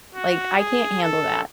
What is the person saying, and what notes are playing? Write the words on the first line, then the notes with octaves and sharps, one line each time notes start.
like, "I can't handle that."
F#4
G#4
A4